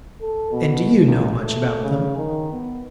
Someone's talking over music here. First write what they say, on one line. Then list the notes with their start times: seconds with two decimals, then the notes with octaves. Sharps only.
"And do you know much about them?"
0.21 A4
0.51 B2
1.07 C#2
1.40 A3
1.82 C#3
2.17 D#3
2.52 B3